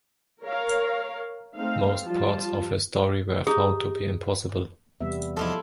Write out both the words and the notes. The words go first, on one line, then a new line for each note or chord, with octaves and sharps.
Most parts of his story were found to be impossible.
A#4 C#5 F5
A3 C4 D#4 F5
F3 G3 F4 A5
D#4 G4 G#4
E2 C3 G3 B3 E5
G#2 F3 E4 F4 A4